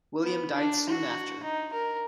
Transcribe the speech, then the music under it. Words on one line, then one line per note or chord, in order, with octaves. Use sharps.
William died soon after.
B3
D4
F#4
D#4
A#4